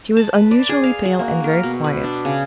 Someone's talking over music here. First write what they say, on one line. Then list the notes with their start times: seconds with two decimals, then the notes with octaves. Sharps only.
She was unusually pale and very quiet.
0.17 A5
0.34 B4
0.51 D5
0.69 G#4
0.84 F5
1.05 F#4
1.19 A#3
1.44 A#4
1.63 B2
1.84 B4
2.04 D4
2.25 C#3